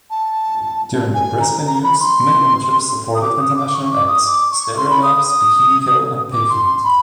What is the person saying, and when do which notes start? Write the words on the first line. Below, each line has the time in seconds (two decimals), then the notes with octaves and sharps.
During their Brisbane years Minimum Chips supported international acts: Stereolab, Bikini Kill and Pavement.
0.10 A5
1.14 G#5
1.40 A#5
1.67 A#5
1.83 B5
2.00 C6
3.15 D#6
3.22 D6
3.39 D#6
3.56 D6
3.74 C#6
3.91 D6
4.08 D#6
4.26 D6
4.51 C#6
4.77 C6
4.90 B5
5.03 D#6
5.16 D#6
5.29 D#6
6.33 D6
6.49 C6
6.67 C6
6.84 B5